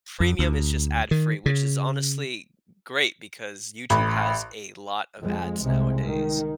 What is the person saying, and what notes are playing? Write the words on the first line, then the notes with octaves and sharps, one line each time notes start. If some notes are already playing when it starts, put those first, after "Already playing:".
Premium is just ad free, which is honestly great because YouTube has a lot of ads nowadays.
F2
D2
D#3
C#3
A1 B5
F2 G#3
C2 C3 G#3
D#3